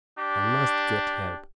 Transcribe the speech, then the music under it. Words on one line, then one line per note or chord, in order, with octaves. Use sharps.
"I must get help."
D4 G4